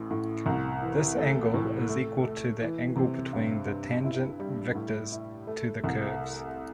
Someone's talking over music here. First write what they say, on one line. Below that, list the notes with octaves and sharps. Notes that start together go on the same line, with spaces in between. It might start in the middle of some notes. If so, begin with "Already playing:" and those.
This angle is equal to the angle between the tangent vectors to the curves.
Already playing: A1 A2
A2
C2
E3
A3
A2
A3
A3
E3
C3
G2
G2
E4
G3
A2
E4
A3
C2